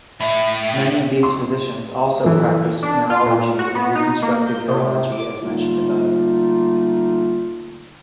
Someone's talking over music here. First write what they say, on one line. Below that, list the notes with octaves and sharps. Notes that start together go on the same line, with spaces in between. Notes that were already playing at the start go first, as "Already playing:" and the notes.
Many of these physicians also practice neurourology and reconstructive urology as mentioned above.
A2 E5
C6
E3 A3
D4
F4
A#2
F#4
B3
D#4
A#3
G6
C3
D6
D3 G3 A3 A#3 D#4 F4